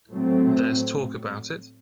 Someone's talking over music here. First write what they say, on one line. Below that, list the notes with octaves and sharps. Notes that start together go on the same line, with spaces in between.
There's talk about it.
A2 F#3 A3 C4